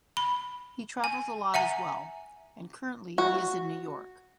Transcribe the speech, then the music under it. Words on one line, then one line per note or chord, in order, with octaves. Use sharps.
He travels a lot as well, and currently, he is in New York.
B5
G#5
E5 F#5 G#5 A#5
F#4